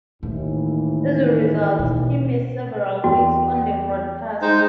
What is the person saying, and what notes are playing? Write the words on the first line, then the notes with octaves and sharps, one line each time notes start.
As a result, he missed several weeks on the broadcast.
D#2 A2 E3
B2
E2 F#4 G5
G#3 D#4 C5 G5